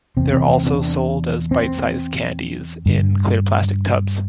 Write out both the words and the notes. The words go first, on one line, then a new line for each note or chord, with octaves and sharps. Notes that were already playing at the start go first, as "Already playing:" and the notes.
They are also sold as bite size candies in clear plastic tubs.
E2 C3 C4
C4
C4
D4
C4
G2 D3